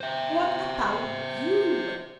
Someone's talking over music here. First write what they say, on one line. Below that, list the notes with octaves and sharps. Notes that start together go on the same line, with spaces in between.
What about you?
C5 E5